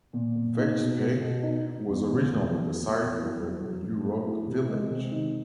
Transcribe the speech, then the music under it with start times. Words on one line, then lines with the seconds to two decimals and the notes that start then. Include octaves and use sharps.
Weitchpec was originally the site of a Yurok village.
0.13 A#2
0.36 A#2
0.58 D#4
0.79 B2
1.01 B3
1.22 B2
1.43 D#4
1.66 D#4
1.88 E2
2.09 B2
2.30 E2
2.52 F#3
2.74 A#3
2.95 E2
3.17 E4
3.39 F#3
3.60 F#3
3.82 F#3
4.04 A3
4.26 E4
4.47 C3
4.68 G#3
4.91 C3
5.12 D#3